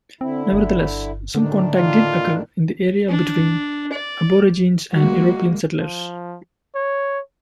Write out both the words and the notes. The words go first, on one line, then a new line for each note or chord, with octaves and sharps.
Nevertheless, some contact did occur in the area between Aborigines and European settlers.
D3 C4 E4
G1
A2 D3 D#3 D4
F4
D4
D5
G3 G#3 A#3 F#4
F3
C#5